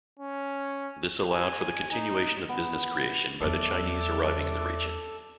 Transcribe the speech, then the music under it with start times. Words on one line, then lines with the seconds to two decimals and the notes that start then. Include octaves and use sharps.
This allowed for the continuation of business-creation by the Chinese arriving in the region.
0.20 C#4
1.32 G#5
1.92 D#4
2.49 B3
3.40 E2 F#3 A4 D5 E5 D6